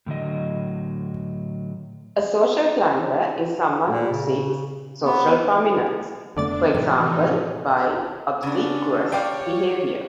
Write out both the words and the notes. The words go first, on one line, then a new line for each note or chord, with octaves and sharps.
A social climber is someone who seeks social prominence, for example by obsequious behavior.
A2 D3 F#3 D#5
A#2
C#3
B3
F1 D3 A3 B3 D4 D5 A6
A2 C3 E3 F3 D#4
C#3 B3 C#4 D4
G3 C#5 D5 F5 G5